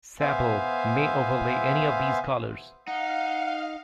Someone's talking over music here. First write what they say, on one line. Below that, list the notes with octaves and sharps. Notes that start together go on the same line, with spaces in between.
Sable may overlay any of these colors.
B3 C5 E5 F5 G#5
D#4 F5 F#5